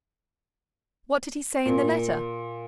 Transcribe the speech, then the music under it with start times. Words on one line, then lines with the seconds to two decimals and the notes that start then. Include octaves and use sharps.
"What did he say in the letter?"
1.66 A#2